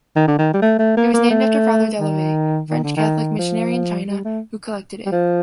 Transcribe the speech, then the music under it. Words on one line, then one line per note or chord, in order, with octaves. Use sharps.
It was named after Father Delavay, French Catholic missionary in China, who collected it.
D#3
D3
D#3
G3
A3
A3
A#3
A#3
A3
D#3
D#3
D3
D#3
F3
G3
A3
G3
F3